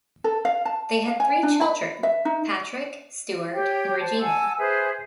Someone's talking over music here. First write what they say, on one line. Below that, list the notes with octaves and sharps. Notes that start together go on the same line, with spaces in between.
They had three children: Patrick, Stewart and Regina.
A4
F5
A5
F5
G#5
D4
B5
E5
D#4
G4 C#5 G5
C5 A5
F#5 G#5 A5 E6
G#4 B4 C5 E5